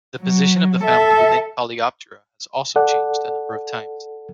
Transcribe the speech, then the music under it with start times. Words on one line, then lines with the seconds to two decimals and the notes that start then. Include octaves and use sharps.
The position of the family within Coleoptera has also changed a number of times.
0.22 F#3
0.83 A4 E5
2.76 A4 D5 F#5